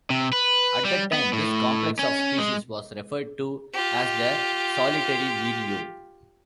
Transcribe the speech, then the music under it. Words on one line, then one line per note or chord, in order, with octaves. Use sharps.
At that time, this complex of species was referred to as the "solitary vireo".
C3
B4
G3
B3
A2
C#4
G#3
F4 G4